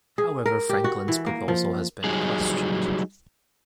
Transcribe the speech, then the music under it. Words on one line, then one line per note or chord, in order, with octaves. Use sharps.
However Franklin's proposal has been questioned.
G#4
A#4
G4
F#4
E3
A#3
F3
F#3 G3 D#4 G#4